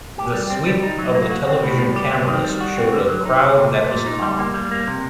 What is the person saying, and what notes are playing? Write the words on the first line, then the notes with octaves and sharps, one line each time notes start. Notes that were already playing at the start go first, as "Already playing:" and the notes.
The sweep of the television cameras showed a crowd that was calm.
G4
G3
C4
G3
D#4
F#3
A#3
F#4
C4
A2
G3
G4
C4
D#3
G3
F#4
C4
D3
F#3
D#4
C4
A#2
A3
A#2
D#4
G3
A#3
G3
A#3
C3